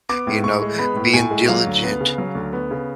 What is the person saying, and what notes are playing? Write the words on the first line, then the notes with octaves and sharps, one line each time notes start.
you know, being diligent.
B3 D6
A2
A2 C#6
G#3
B3 B5
A2
A2 G#5
G#3
F#3 F5
D2
B3
C#3
F#3
D2
B3
C#3